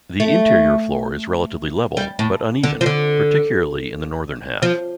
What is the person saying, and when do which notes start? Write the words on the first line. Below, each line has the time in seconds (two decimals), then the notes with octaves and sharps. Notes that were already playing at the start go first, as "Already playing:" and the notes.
The interior floor is relatively level, but uneven, particularly in the northern half.
0.20 A3
1.97 G3
2.19 A2
2.63 D3
2.81 F3
2.86 D3
4.62 F3